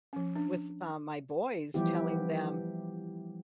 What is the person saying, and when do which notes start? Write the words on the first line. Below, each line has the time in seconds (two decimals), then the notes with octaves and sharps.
with, um, my boys, telling them,
0.13 F3 C#4
0.36 D4
1.74 E3 F3 G3 B3 E4 G4